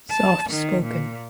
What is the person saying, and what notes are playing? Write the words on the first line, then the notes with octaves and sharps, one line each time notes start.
Soft spoken.
A5
D#3
A#2